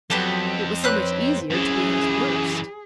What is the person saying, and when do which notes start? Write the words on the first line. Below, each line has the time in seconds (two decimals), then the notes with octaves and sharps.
It was so much easier to be at his worst.
0.10 F2 F#3 B3 G4 A4
0.84 C4 B4 C#5 F#6
1.50 F#2 E3 C#4 G#4